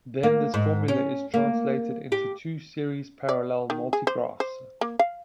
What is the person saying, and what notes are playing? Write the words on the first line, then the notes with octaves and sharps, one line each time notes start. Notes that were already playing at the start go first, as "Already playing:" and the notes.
Then this formula is translated into two series-parallel multigraphs.
A#3
G#2
C#4
A#3
G4
D5
D#3
G#4
C5
C5
A#3
F5